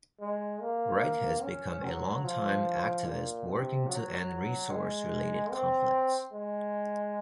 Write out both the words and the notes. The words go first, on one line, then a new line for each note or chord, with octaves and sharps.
Wright has been a longtime activist working to end resource-related conflicts.
G#3
A#3
C#4
F#3
F3
A#2
C3
F#3
G#3
C4
G#3